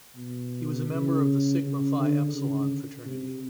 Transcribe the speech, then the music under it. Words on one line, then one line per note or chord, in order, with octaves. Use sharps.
He was a member of the Sigma Phi Epsilon Fraternity.
B2
C#3
C#3
D3
C#3
C3